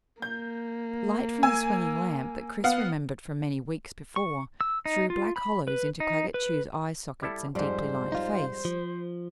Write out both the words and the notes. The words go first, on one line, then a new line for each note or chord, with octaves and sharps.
Light from the swinging lamp that Chris remembered from many weeks before threw black hollows into Claggett Chew's eye sockets and deeply lined face.
A#3 G6
G#5 E6
B3 F5 F#5
C#6
E6
D#4
F4
B5
B4
D#4
B4
G3 E4 A4
F2 G#2 G3 C5
D#4 F4
F3